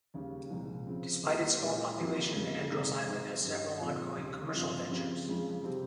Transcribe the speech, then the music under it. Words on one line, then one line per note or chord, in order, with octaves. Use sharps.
Despite its small population, Andros Island has several ongoing commercial ventures.
D#2 C#3 G3 A#3
C2 A#2 F3 G#3 D#4
C#3 F3 C4
D#2 D#3 G3 A#3 F4
A#2 G#3 C#4 G4 A#4
F2 D#3 G3 A#3 F4
F2 C#3 G3 A#3
C3 D#3 G#3 D#4
G#2 D#3 G#3 D#4
G2 D#3 G3 C#4
A#2 F3 C4 D#4
D#2 C#3 G3
G2 F3 C4 F4
C#3 F3 C4 G4
F2 C#3 F3 G#3
C3 G3 C4 G4